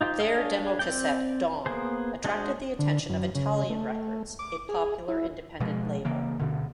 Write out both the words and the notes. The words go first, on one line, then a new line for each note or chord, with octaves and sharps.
Their demo cassette Dawn attracted the attention of Italian Records, a popular independent label.
D#4 F4 G4 C5
D4 G#4 C#5 D#5 F5
C4 D5 G5
A#3 B3 G#4 C5
G#3 D4 F#4 G#4 C5
D3
F#2
C#3
A3
D6
G#4
E4
B2 F3 G#3
C#3 E3 A#3
D2 B2 D3